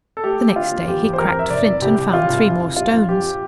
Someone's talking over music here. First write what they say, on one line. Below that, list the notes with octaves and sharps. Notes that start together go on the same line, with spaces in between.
The next day he cracked flint, and found three more stones.
A4
A3 G4
A3
D3 F4
A#3
E2 G4
E2
C5
F2 A#4
F2 E5
F1 D5
E3
C2 G4
C2
A#2 F4
C2
F1
F1
G3 F4
A#1
F2 G4